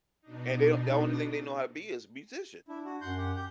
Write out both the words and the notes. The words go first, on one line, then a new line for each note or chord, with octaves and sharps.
and they don't the only thing they know how to be is musicians,
B2 D4 D#4
D4 E4
F#4
F#2 F#5 C6 G6
G4 F#5
G4 G6